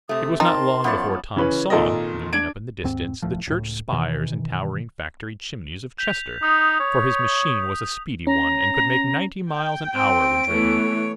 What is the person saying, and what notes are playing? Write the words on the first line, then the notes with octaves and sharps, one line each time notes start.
It was not long before Tom saw, looming up in the distance the church spires and towering factory chimneys of Chester, for his machine was a speedy one, and could make ninety miles an hour when driven.
C3 A3 D#6
C4 D#4 A#4 A5 C6
F#2 F3 B3 C#5 D5
C#3 E3 C#4 B4
G#1 A#2 A4 A#4 D#5
D4 G#6 D7
D#2 G#2 C4
D#1 C2 A2 F3
C#2 A2
B2 D#3 E3
G6 B6 F7
D#4 D#6
C#5
C#4 A#5
G5
C4 D7
E3 A3 B3 C#5